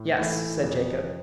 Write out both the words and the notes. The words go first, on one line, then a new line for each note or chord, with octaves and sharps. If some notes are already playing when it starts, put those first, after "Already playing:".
"Yes," said Jacob.
Already playing: A2
E3 A3 E4
F2